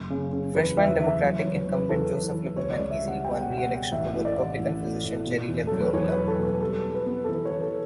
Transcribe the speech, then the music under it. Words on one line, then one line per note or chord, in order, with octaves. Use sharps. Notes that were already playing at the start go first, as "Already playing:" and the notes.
Freshman Democratic incumbent Joseph Lieberman easily won reelection over Republican physician Jerry Labriola.
Already playing: F#1
C#3
C#3
E2 B4
E2 E5
E3 E5
F#3
C#5
E2
B4
F#3
B4
E2 A4
E2
B4
E2
C#2 C#5
D5
C#2
E5
G3
F#5
G3 G5
F#5
B2
F#5
G3
F#5
A1 E5
A2
D5
A1
A1
A2
A2
B2
E2
F#3 A4
B4
E2 C#5
B4
F#3
A4
B2
B4
G3 A4
B3
B4
B3
A4
E3 B4
C#5
E3
A4